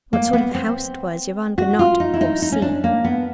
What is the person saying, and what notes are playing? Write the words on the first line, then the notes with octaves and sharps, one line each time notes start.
What sort of a house it was Yvonne could not, of course, see.
A#3
B3
C4
F#4
F4
D#4
E4
D#4
D#4
C#4
D4
A#3
B3